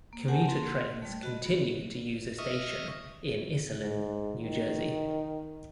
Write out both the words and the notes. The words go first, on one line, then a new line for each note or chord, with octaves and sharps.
Commuter trains continued to use a station in Iselin, New Jersey.
A#3
G4 A#4 C5 F#5 G#5 A5
A#3 C6
G3 A3
F#4 D#5 B5
D#5 E5 C#6 D#6 F6
G#2
D#3